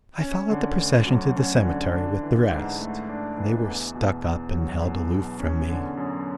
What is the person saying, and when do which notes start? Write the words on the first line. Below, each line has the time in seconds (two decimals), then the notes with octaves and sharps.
I followed the procession to the cemetery with the rest; they were stuck-up and held aloof from me.
0.20 C#4
0.50 D3
0.78 D2
1.07 F#3
1.36 C#4
1.65 D3
1.93 D4
2.23 E3
2.51 G#2
2.79 A3
3.09 D4
3.37 E3
3.67 E2
3.96 B2
4.24 E2
4.53 F#3
4.82 E2
5.11 B2
5.39 C#4
5.69 D3
5.97 F#2